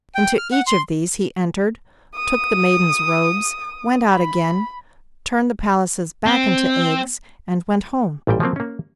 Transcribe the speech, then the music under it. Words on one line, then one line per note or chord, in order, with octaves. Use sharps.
Into each of these he entered, took the maidens' robes, went out again, turned the palaces back into eggs, and went home.
G5
F6
F#5
C6
D#6
B5
C4
A1 A#2 G3 G5
F3 F#3 A#3 C4
A#3 C#4